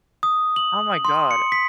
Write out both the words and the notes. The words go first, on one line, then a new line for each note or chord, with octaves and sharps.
Oh my god.
D#6
F#7
C6
C#7
B6